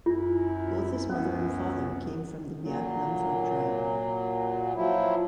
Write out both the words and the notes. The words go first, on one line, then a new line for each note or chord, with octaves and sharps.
Both his mother and father came from the Biak Numfor tribe.
F#2 E4 F4
C#2 F#2 B3 C#4
A#2 F#3
F3 F#3 E4